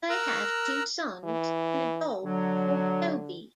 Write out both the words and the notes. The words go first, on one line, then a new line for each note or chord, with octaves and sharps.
They have two sons, and a dog called Toby.
A#4 A#5 E6 F#6
E3
D3 F#3